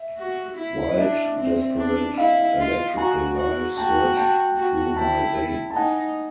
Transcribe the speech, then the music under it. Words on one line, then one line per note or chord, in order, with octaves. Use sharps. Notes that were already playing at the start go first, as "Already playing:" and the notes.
Wild, desperate, electrical life surged through my veins.
Already playing: E5
F#4
E4
D#5
D4 D5 E5
C4
D4
E4 D#5 F5
F4
F#4 G#5 A#5
F#4
F#4 G5 A5
G5 A5
F#4
E4 G5 A5
A5
D#4 F#5 G#5